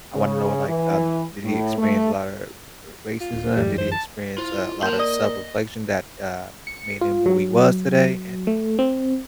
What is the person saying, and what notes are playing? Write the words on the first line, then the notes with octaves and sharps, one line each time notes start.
I wanna know what, like, um did he experience a lot of r r racism? Did he experience a lot of self-reflection that, uh, made him who he was today, and
C#3
E3
A2
A3
F4
D1
D1 F#2 E3 G3
C5
A5
E4 F4 C5
A#3 A#4 A5 C6 G6
D5 D#5 D#6
C#7
F4
F#3
A3
C4